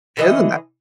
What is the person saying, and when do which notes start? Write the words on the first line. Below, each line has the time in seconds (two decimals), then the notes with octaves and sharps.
Isn't that
0.17 D3 E3 D#5